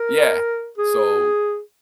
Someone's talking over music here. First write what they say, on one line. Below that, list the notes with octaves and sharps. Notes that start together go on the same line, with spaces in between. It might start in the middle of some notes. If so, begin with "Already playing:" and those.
Yeah. So,
Already playing: A#4
G#4